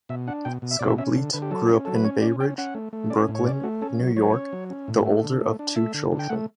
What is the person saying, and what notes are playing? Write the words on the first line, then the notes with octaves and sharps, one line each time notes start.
Scoblete grew up in Bay Ridge, Brooklyn, New York, the older of two children.
B2 E5
D4 F#5
B2 G5
B2
E5
B2 D5
E5
C#4 E5
D3
D3 B4
G4
F#3 A4
C#4
F#3 A4
B4
C#4 C#5
C#4 D5
C#4 G5
C#4 F#5
A3
A3
C#4 D5
A2
C#5
C#4 D5
A3 F#4
C#4 A4
F#3
F#3 C#5
C#4
F#3
C#4
A2
A3
D3
A3
D4
A3 E5
D3
D3
G5
A3 F#5